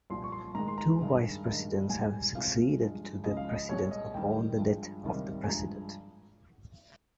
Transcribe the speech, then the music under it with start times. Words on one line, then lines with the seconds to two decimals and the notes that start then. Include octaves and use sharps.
Two vice presidents have succeeded to the president upon the death of the president.
0.10 C2 A#2 F3 C6
0.24 C#6
0.32 C6
0.55 G#2 D#3 G#3 A#5
0.68 C6
0.78 A#5
1.01 G2 D#3 G#3
1.45 G2 D#3 G#3
1.89 G#2 G3 G#5
2.35 C#2 C3 F3 G#3 F5
2.80 G2 F3 G#3
3.24 C#2 C#3 F3 G#3 D#5
3.37 F5
3.49 D#5
3.69 C2 A#2 G#3 C#5
3.91 D#5
4.14 D#2 D#3 G3 G5
4.59 G2 F3 G#3
5.03 C#2 C3 D#3 G3
5.44 G#5
5.49 G2 F3 G#3 A#5